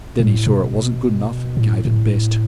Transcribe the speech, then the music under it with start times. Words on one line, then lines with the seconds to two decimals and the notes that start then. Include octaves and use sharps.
Then he saw it wasn't good enough, and gave it best.
0.20 A2
0.46 B2
1.57 A2
1.85 A2